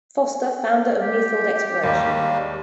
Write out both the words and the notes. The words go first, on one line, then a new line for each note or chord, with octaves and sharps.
Foster, founder of Newfield Exploration.
G4
D#2 G3 G#3 A#3